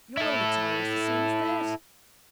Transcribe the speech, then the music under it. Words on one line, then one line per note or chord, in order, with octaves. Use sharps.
Your own attire is the same as theirs.
E4 A4